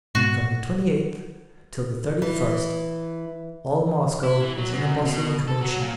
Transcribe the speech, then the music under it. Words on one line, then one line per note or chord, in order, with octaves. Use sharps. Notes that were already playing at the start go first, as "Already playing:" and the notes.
From the twenty-eighth till the thirty-first all Moscow was in a bustle and commotion.
G#2 B2 F#4 A6
E3
E4
E3
F#3
F#2
B2
A4
F#3
A#2